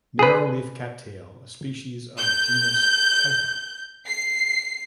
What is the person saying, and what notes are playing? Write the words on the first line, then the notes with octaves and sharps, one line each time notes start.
Narrowleaf cattail a species of genus typha.
G#4 B4
G6
C7